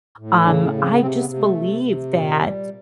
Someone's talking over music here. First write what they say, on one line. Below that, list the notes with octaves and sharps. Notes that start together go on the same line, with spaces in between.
Um, I just believe that
A2
C#3 D4
C#4
C#3
C4
B3
C3 C4
B3
C3
A3
C3
C3
A#2
G3